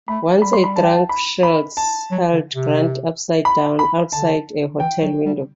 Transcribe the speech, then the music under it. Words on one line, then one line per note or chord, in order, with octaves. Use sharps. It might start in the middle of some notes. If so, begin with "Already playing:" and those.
Once a drunk Shields held Grant upside down, outside a hotel window.
A3 B5
G3 B5
C6
B5
A5
G5
A5
B5
B5
A5
F#3
D3
C3
B5
B5
D3 A5
E3 G5
F#3
G3